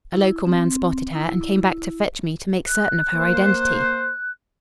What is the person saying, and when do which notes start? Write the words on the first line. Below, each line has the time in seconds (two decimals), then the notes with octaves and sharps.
A local man spotted her and came back to fetch me to make certain of her identity.
0.12 E4
0.45 C4
1.13 E4
2.67 F#6
3.13 A#3 C5